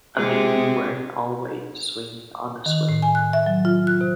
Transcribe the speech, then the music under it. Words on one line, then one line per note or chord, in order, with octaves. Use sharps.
A baby wearing all white swinging on a swing.
C3 G#3
D#3
A2
G#5
F#6
E5
F#3
F4
F#6
C3